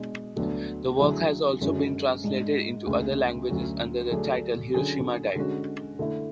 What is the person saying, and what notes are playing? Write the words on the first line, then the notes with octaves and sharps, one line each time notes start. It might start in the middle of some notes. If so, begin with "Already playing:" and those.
The work has also been translated into other languages under the title “Hiroshima Diary”.
Already playing: B2 G#3 D4
D2 D3 F#3 B3 D4
D3 F#3 A3 E4 G#4
F#2 D3 G#3 C#4 F#4
G#2 G#3 D4
D2 C#3 G#3
D2 D3 F#3 C#4 F#4
D3 F#3 A3 D4 G#4
D3 F#3 C#4 G#4
D3 G#3 C#4 F#4
D3 A3 E4